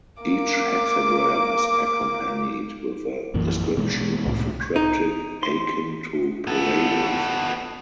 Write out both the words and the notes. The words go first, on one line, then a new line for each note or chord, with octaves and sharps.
Each hexagram is accompanied with a description, often cryptic, akin to parables.
A#3 D6
A#1 F#2 A#2 E3
B2 G#3
C2 A2
D#4
C6
B3 A4